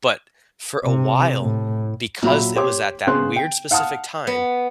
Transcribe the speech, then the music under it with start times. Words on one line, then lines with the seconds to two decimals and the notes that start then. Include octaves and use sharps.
But for a while, because it was at that weird specific time,
0.84 C3
1.41 A2
2.23 A#2 F#3 F#4 E5 B5
2.55 G4 C5 C#5 D6
3.07 C#3 B3 G#4 C5 C6 F#6
3.36 G5
3.71 F5 F#5 A5 D#6 F6
4.27 B3